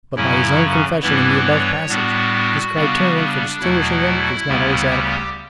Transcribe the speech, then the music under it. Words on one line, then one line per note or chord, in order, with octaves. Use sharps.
But by his own confession in the above passage, his criterion for distinguishing them is not always adequate.
F#2 C#3 F#3 C#4 E4
G2 E3 G3 B3 D4 E4
C#5
A2 G3 B3 D4 F#4
C#3 G3 B3 D4
D4
E2 B2 F#3 A3 E4
D2 C#3 G3 B3
G4